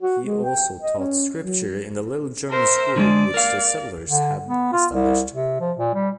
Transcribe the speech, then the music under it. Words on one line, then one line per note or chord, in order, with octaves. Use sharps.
He also taught Scripture in the little German school which the settlers had established.
F#4
G#3
G5
D#5
C#4
F#3
A#4 C5 E5
D3 G3 G#3 D5
A#4 F5
D3
B3
F4
C2
C3
F3
A#2
G3